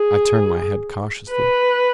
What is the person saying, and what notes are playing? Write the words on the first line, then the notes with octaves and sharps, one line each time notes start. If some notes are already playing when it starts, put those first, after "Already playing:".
I turned my head cautiously.
Already playing: G#4
B4